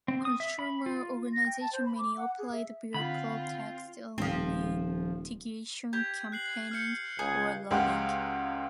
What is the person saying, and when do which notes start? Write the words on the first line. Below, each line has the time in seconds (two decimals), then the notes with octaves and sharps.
Consumer organizations may operate via protests, litigation, campaigning, or lobbying.
0.08 C4
0.25 D#6
0.40 E5
0.59 B5
0.86 F4
1.34 A#6
1.46 G5
1.61 A5
1.73 C5
1.86 B5
1.98 D6
2.17 F#5
2.39 G#4
2.52 E5
2.94 D3 C4 F4 F#5 B5
4.18 D#1 F3 C4
5.93 G4 G#6
6.32 F#6 C7 F#7
6.71 F6 G6 C#7
7.19 C#2 G#4
7.71 C#2 G#3 G4 F5 F#5